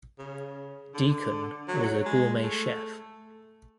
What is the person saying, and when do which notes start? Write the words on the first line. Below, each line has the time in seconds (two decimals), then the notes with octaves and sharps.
Deacon was a gourmet chef.
0.19 C#3
0.94 D3
1.68 F#3
2.06 G#3
2.43 A3